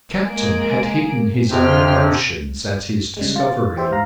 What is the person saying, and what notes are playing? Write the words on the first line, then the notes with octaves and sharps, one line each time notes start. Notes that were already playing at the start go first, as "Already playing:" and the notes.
The captain had hidden his own emotions at his discovery.
G#3 A#3 G#4 D7
F2 C3 C4 F4 G5 F6
C#3 G3 G#3
F4 A6
E3 G4 C5 E5
G#2 F5 A#5